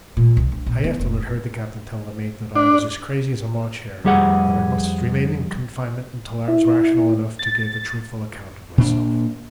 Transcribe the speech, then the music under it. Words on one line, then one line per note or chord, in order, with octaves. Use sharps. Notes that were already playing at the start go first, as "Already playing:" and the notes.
I afterward heard the captain tell the mate that I was as crazy as a March hare, and that I must remain in confinement until I was rational enough to give a truthful account of myself.
A#2
C2
D4
A#1
B3
F1
D4
F2 G3 G4 G#4 F#5
E4
A6
A#2 D4